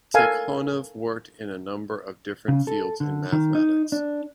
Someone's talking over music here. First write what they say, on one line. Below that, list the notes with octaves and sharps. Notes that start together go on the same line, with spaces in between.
Tikhonov worked in a number of different fields in mathematics.
A4 A#4 F5 G#5
C#3
A4
D3
D#3
D#4
D4